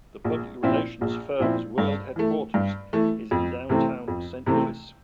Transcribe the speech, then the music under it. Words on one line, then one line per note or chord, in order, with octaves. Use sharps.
The public relations firm's world headquarters is in downtown Saint Louis.
A#1
A#2 F3 C4 E4
A#1
A#2 F3 C4 E4
G2
E3 A3
G2
E3 A3
F2
C3 E3 A3 C4
F2
C3 E3 A3 C4